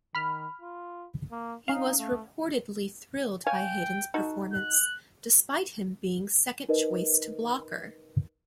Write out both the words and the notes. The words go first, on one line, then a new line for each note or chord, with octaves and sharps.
He was reportedly thrilled by Hayden's performance, despite him being second choice to Blocker.
D#3 B5 F6
F4
A#3
C#4 D#4 F5
A3
C#5 F5 G5 G#5
D#4 F#4 A4
F#6
D#4 A#4 B4 D#5